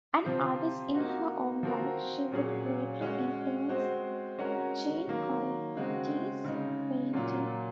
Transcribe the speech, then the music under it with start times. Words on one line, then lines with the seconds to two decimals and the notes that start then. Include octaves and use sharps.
An artist in her own right, she would greatly influence Jean Crotti's painting.
0.25 C3 F3 C4 F4 C5
0.94 A#3 D#4 F#4
1.63 F3 C4 F#4 A#4
2.32 A#2 F#3 C#4 G#4 C#5
3.00 G#3 C#4 F#4 C#5
3.69 G#3 C4 F#4 C5
4.38 G#3 C#4 F#4 A#4 C#5
5.07 D#3 F#3 A#3
5.75 C#3 G#3 C4 F#4
6.44 C#3 G#3 D#4
7.13 A#2 F#3 A#3 F4